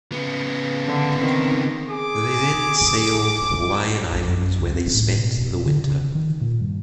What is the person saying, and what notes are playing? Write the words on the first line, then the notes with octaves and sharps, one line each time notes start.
They then sailed to the Hawaiian Islands where they spent the winter.
C#3 B3
D3
D#3 C4
G#4 D6
A#1
F#2
C#2
C4
A2
B2
D3
C#3
D#3
A#2
G2